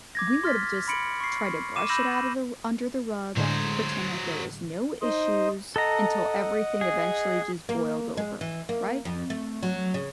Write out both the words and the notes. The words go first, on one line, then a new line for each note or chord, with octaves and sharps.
we would've just tried to brush it out of the r under the rug, pretend like there was no issues, until everything eventually just boiled over," right?
D6 G#6 A#6
C6 F6 A6 B6
B5 C6 C#7 D7 F#7
C#6 C7
D6 D#7 E7
B5 E6 G6 A#6 E7 F#7
A2 D3 F#3 G#3 C5
D#4 C5 D#5
A4 D#5 F#5 A#5
G#4
A#3
G#3
E3
A#3
F2
A3
F#3
C#3